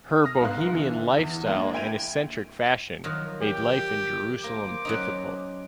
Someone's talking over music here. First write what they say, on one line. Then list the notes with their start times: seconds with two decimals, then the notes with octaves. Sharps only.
Her Bohemian lifestyle and eccentric fashion made life in Jerusalem difficult.
0.24 D#6 F6 A#6
0.41 C2 G#2 B3 F5 F#6
0.73 D3 E3
1.17 E2
1.46 G#3 A#3 D4
1.74 E4 G5 G#6 D#7 F7
3.04 D#3 F3 F#3
3.42 G4
4.44 A#3 C5 D6
4.85 F#3 C#4 D#4